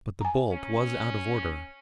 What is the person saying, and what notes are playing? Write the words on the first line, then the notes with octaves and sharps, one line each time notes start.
But the bolt was out of order.
G#5 A#5
C#4